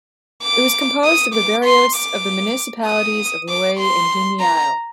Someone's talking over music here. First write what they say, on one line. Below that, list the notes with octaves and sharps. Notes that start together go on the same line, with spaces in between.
It was composed of the barrios of the municipalities of Loay and Dimiao.
D6
D#6
D6
C6
D6
D#6
D6
C6
A#5